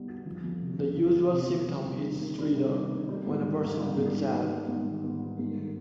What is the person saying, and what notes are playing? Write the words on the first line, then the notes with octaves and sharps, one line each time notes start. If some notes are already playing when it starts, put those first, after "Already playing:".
The usual symptom is stridor when a person breaths out.
Already playing: G3 B3 D#4
F#4
F3
F2
C3
F2
F3
F2
C3
F2
G3
C3
D#3
A#3
G3
C3
D#3
A#3
G3
G#2
D#3
A#3
G3
G#2
D#3
A#3
G3
G#2
D#3
B3
G3
G#2
D#3